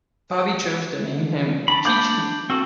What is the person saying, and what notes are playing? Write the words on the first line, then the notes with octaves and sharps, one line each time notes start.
Bobbi chose to name him "Chi-Chi".
D4 B5
D6 G6
C4 F#4 A4 E6